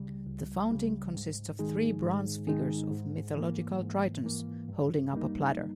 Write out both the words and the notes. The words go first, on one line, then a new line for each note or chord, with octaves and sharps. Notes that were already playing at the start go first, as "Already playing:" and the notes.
The fountain consists of three bronze figures of mythological Tritons holding up a platter.
Already playing: C#2 C#3 G3
C#2
C#3 G3
G#2
D#3 G#3 D#4 G#4
G#2
D#3 G#3 D#4 G#4
G#2
E3 A#3
G#2
E3 A#3
G2
G3 A#3 D#4